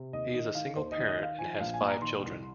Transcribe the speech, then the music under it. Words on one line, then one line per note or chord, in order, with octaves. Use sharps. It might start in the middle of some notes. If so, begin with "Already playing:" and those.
He is a single parent and has five children.
Already playing: C3
D#2 D#5
D#3 D#5
D#3 F5
D#2 C5
D#5
D#3
D#5
D#3 F5
F3 G#5
A#1 F5
G#5
A#2
A#5
D#3 C6
C2